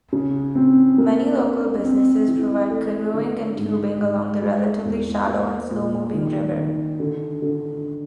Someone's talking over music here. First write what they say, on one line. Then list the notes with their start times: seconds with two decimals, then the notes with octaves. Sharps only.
Many local businesses provide canoeing and tubing along the relatively shallow and slow-moving river.
0.13 C#3
0.55 C4
0.98 A#3
1.42 D4
1.84 C4
2.28 E3
2.70 A3
3.14 D3
3.57 G#2
3.99 G#2
4.42 G#3
4.85 E2
5.27 A#3
5.71 A#2
6.14 D#3
6.56 D#3
7.00 D3
7.42 D3